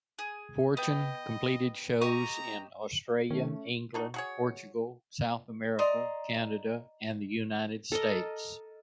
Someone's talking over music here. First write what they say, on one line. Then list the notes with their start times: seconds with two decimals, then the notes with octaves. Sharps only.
Fortune completed shows in Australia, England, Portugal, South America, Canada and the United States.
0.19 G#4
0.77 B3 D#5 G5
2.01 G4 D#5 A#5 C#6
3.30 D#3 A3 C#4
3.94 D4 D#4 F#4
4.14 F#4 G#4 C#5
5.79 D5 D#5 A#5 C6
7.92 A4 A#4 D#5